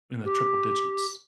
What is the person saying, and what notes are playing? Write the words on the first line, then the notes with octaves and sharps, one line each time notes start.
in the triple digits,
G4